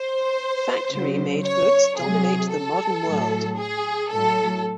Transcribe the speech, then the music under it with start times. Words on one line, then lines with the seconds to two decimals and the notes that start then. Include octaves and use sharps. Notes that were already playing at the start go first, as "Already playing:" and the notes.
Factory-made goods dominate the modern world.
Already playing: C5
0.92 C#3 F#3
1.45 C#5
1.98 C3 F#3 G#4
2.51 A4
3.05 A2 F#3
3.58 G#4
4.11 A2 F#3 A4